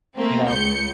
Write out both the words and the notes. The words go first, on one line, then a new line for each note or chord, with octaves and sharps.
You know,
A3 A#3 C4
C#2 G6 C#7